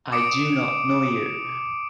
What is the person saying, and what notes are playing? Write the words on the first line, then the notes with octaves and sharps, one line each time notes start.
I do not know you.
D6 D#6 C#7 D7